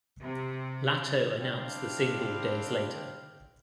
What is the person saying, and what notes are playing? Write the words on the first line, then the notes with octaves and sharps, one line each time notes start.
Latto announced the single days later.
C3
C4 D4 E4 F5 G5